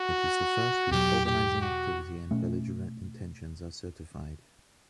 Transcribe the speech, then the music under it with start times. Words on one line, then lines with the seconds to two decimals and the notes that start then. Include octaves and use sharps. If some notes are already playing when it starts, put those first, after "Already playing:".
It is the first whose organizing activity and belligerent intentions are certified.
Already playing: F#4
0.91 E2 B2 F#3 G4
1.26 G4
1.62 F#4
2.31 B2 A3 C#4